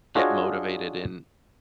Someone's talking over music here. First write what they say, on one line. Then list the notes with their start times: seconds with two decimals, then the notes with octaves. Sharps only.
get motivated in
0.15 D4 F4 F#4 G#4 C#5 D#5